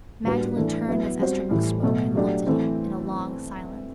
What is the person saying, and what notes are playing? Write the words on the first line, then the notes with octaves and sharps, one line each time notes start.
Magdalen turned as Esterbrook spoke, and looked at him in a long silence.
A2 G3 D4 F#4 B4
E3 A3 D4
F#3 B3 E4
G3 C4 F#4 C5
A2 E3 G3
B2 F#3 A3
F#3 A3 D4 G4 D5
E3 A3 C4